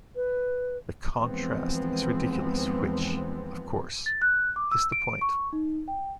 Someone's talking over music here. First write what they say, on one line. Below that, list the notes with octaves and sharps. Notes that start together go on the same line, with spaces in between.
The contrast is ridiculous which, of course, is the point.
B4
D#2 E3 F3 G#3 B3 C4
A6
F#6
D6
E6
D7
C#6
D#4
G5